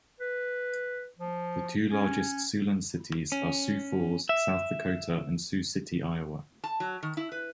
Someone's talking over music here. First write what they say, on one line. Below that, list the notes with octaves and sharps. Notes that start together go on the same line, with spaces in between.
The two largest Siouxland cities are Sioux Falls, South Dakota, and Sioux City, Iowa.
B4
F3
C#4
C#4
E5
A5
F#3
D#3
E4
B4